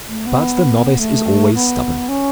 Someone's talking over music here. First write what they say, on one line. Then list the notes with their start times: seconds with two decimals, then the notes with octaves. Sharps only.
But the novice is always stubborn.
0.09 A3
0.26 B3
0.99 A3
1.54 B3
2.09 C#4